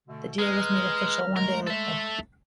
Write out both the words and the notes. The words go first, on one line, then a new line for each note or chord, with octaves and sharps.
The deal was made official one day later.
B2 D3 A3
G#3 B4 A#5 F6
G#3 A3 A#4
A4 E5